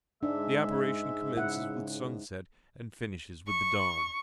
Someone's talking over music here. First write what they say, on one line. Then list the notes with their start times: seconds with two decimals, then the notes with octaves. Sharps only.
The operation commences with sunset and finishes with the dawn.
0.23 G#2 G#3 D4 E5
1.36 C#3 E4 F#5
3.48 C#6